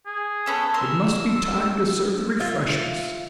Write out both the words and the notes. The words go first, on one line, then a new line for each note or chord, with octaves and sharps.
It must be time to serve the refreshments.
G#4
B3 C#4 A4
A#4 C6 E6
F4 E5